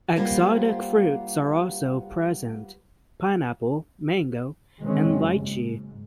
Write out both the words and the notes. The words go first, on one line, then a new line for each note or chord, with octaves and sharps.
Exotic fruits are also present: pineapple, mango, and lychee.
G3 A#3 B3 F4 G4 C5
D#3 E3 G#3 C4 C#4
F#1 F#2
G#2